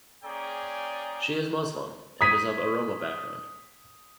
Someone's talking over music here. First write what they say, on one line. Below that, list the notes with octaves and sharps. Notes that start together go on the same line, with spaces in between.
She is Muslim, and is of Oromo background.
A#3 C#4 G#4 D5 G5 A#5
D#6 G#6 B6 D#7